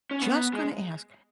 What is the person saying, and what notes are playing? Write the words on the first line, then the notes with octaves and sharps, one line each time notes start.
Just gonna ask.
C#4
B3
G#3